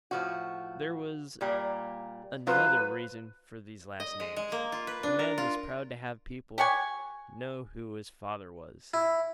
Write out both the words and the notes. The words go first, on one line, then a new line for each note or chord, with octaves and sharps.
There was another reason for these last names: a man was proud to have people know who his father was.
A2 F3 F#4
A#2 G3 A#3
F#3 F4 B4 C5
D#5
G#3
G#3
A#3
F4
B4
D4
A#4
F4
G4 C#5 F#5 G#5
E4